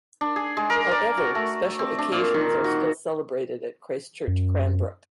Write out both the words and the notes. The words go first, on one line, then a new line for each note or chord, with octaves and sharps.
However, special occasions are still celebrated at Christ Church Cranbrook.
D4
G#4
G#3
A#4
D5
F#4
A3
C4
D4
A#2
D#3
F#4
F#2